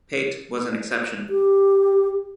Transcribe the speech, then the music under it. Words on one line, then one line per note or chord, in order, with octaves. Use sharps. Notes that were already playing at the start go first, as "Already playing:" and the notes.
Paete was an exception.
G4